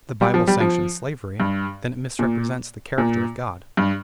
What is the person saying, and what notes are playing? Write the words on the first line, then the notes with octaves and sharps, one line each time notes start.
If the Bible sanctions slavery, then it misrepresents the character of God.
G3
F3
G3
F3
G2
A#2
A#2
G2